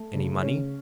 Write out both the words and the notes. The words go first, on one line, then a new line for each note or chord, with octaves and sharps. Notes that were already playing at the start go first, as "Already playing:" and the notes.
"Any money?"
Already playing: A3
C#3
C#4